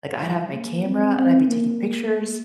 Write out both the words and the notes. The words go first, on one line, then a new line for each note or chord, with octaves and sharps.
Like, I'd have my camera, and I'd be taking pictures,
G3
A#3
C4
C4
A#3
A#3